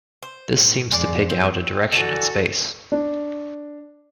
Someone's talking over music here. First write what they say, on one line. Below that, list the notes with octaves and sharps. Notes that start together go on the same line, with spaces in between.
This seems to pick out a direction in space.
C5
A2
F2 G#3 D5
C4
D3 E3 F#4 A4
D4